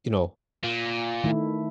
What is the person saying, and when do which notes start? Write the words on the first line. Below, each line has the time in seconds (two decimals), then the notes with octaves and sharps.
you know,
0.64 A#2
1.24 D#3 A3 E4